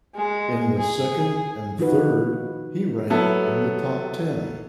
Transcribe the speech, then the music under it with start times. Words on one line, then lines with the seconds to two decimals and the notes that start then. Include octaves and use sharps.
In the second and third he ranked in the top ten.
0.15 G#3
0.77 G#4
1.79 D#3 F3 D#4 F4 F#4 B4
3.10 F#3 B3 E4 A4